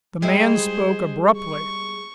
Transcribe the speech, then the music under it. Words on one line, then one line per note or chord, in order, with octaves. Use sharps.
The man spoke abruptly.
G3 G#3 E4 G#4 C5
C#6